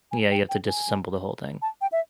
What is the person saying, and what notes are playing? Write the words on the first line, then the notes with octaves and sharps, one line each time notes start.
Yeah, you've to disassemble the whole thing.
G#5
G5
G5
G#5
A5
G5
E5